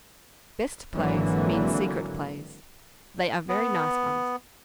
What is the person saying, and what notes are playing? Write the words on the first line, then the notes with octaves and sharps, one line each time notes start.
Best plays mean secret plays; they are very nice ones.
G#1 D3 E3 F#3 A#3
B3